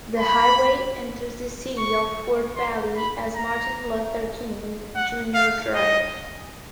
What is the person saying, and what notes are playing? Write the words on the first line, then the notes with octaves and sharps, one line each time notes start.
The highway enters the city of Fort Valley as Martin Luther King Junior Drive.
B5
C#6
C6
B5
A#5
F#5
F5
D#5